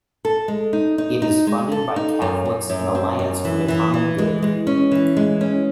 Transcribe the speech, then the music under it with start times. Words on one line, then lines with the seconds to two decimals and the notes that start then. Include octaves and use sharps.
It is funded by Catholics in Alliance for the Common Good.
0.25 A4
0.48 G#3
0.73 D#4
0.98 D#4
1.22 D#4
1.47 G#3
1.72 A4
1.96 D#4
2.22 F#2
2.45 F#2
2.70 F#2
2.95 C4
3.19 F#2
3.45 E3
3.68 E3
3.94 E3
4.18 G#3
4.42 G#3
4.67 C#4
4.91 E3
5.17 G#3
5.41 C#4